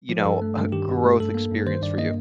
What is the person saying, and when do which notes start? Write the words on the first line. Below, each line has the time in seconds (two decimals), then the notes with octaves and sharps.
you know, a growth experience for you.
0.09 F3
0.25 G2 A4
0.42 A3
0.57 G2
0.72 D#3 G4
0.88 G2
1.04 A3
1.20 G2 A4
1.35 A#3
1.51 G2
1.67 D#3 C5
1.82 G2 D5
1.97 A#3 D#5